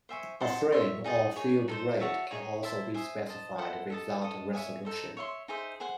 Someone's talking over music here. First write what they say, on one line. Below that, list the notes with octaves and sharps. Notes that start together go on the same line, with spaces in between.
A frame or field rate can also be specified without a resolution.
C5 E5 G#5 C#6
C5 F#5 A5 C6
C#5 E5 C6
D#4 G#4 D#5 A5
D#4 G#4 C#5 G#5
D#4 A4 C5
F#4 C#5 E5 A5
D#4 G#4 C#5
E4 C5 E5 A5
C5 E5 G#5 D#6
C5 D#5 A5
E4 A4 C5 F#5
A4 D#5 A5
A4 D#5 A5 D#6
C#5 E5 G#5 D#6
D#4 A4 C5
C#5 E5 C6
D#4 G#4 C5 E5
G#4 C5 F#5 C6